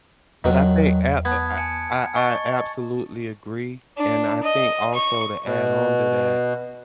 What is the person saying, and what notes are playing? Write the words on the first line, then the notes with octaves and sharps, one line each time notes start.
But I think ap uh, I I I absolutely agree, and I think also to add on to that,
E2 D#3 F#3
B3 A5 G#6
G#5 A5 C#7
D#5 C#6 A6
D4
D#5
C#6
B2